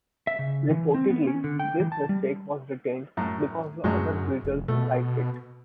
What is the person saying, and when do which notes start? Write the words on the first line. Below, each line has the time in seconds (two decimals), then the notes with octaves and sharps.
Reportedly, this mistake was retained because the other Beatles liked it.
0.27 E5
0.39 C#3
0.71 E3
0.94 C4
1.10 B3
1.27 C#4
1.44 D3
1.60 G5
1.80 E3
1.92 A5
2.09 G3
3.17 F#2 A2
3.84 F#2 A2 F#3 G#3
4.44 F1
4.68 B2 A3